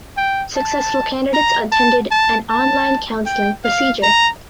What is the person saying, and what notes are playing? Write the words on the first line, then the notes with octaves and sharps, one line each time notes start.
Successful candidates attended an online counseling procedure.
G5
A5
A#5
A5
A5
A5
G5
F5
A#5